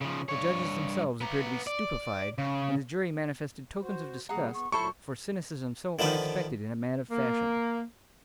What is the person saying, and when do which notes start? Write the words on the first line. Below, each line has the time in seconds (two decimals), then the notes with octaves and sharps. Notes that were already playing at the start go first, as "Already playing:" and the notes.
The judges themselves appeared to be stupefied, and the jury manifested tokens of disgust for cynicism so unexpected in a man of fashion.
0.02 C#3 F3
0.29 G2 C#5
1.21 B3 A#5
1.67 D5
2.38 C#3
3.82 F#4 C5
4.29 C3 G3 A#3 G#4 F#5 A#5
4.54 B3 C#6
4.72 D2 A#2 F#3 E4 A4 C5 B5 C#6
5.99 D3 D#3 F3 B4
7.11 A#3